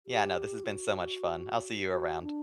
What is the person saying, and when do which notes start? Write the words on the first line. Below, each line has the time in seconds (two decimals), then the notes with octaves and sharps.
Yeah, no, this has been so much fun, I'll see you around.
0.07 G4
0.64 F4
0.68 F#4
1.91 F#4
2.23 D4